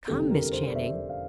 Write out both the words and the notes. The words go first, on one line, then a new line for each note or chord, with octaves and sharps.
"Come, Miss Channing."
F1 E2 D3 G3 C4 A4
A#4
C5
D5
E5
F5